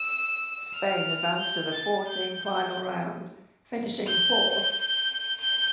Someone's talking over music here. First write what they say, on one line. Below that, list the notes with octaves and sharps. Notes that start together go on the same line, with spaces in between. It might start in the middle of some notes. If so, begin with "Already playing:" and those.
Spain advanced to the four-team Final Round, finishing fourth.
Already playing: E6
F6
G6
A6
G6
G6
G6